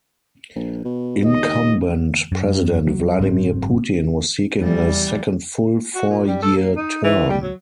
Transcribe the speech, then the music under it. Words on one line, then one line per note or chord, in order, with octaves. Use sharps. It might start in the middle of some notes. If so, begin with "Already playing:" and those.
Incumbent President Vladimir Putin was seeking a second full four-year term.
A#1
B2
D#2 D#5
F#2
F#3
F#1 G#2 F#3 C4
E2 G3
F#4
A#2
G3
A4
A#3
D#4
E3
G3
F#3